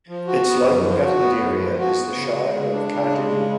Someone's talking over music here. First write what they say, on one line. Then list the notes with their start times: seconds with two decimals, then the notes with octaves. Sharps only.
Its local government area is the Shire of Cardinia.
0.08 F3
0.27 F#4
0.47 B3
0.66 F#2
0.84 F3
1.03 F#4
1.21 B3
1.40 F#2
1.59 F3
1.79 F#4
1.97 B3
2.16 C#3
2.35 G#3
2.54 C#3
2.72 D4
2.92 C#3
3.10 G#3
3.29 C#3